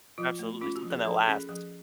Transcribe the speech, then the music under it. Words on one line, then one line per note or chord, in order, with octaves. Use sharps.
Absolutely, something that lasts.
F3 F4
A3
C#4 F4
F#4
F3
G#4
F3 A4
C#4 G#4
F3 G#4